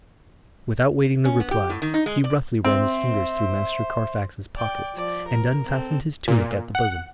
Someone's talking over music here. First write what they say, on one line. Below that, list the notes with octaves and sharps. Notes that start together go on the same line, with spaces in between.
Without waiting a reply, he roughly ran his fingers through Master Carfax's pockets, and unfastened his tunic at the bosom.
C#4
B3
G4
A2
D#3
D#4
G#3
D5
C4 C5 E5
D5 G5
F3 D5
A#4
C4 A4
A#2
F#5